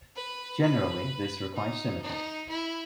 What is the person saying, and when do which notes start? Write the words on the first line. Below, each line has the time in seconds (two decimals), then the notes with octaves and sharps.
Generally this requires symmetry.
0.16 B4
0.62 B4
1.55 D#4
2.01 D#4
2.49 E4